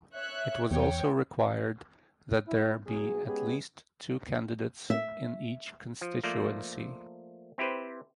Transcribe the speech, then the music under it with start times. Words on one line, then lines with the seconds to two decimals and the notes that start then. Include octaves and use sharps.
It was also required that there be at least two candidates in each constituency.
0.14 C#5 E5 F#6
0.71 E2 C#5 G5
2.48 E4
2.87 B1 F#3 G#4
3.26 G#3 B3 C#4 G4 G#4
4.90 E5
6.01 F3
6.23 F3 A3 A#3 C5 D5
7.58 C4 E4 G4 B4 C5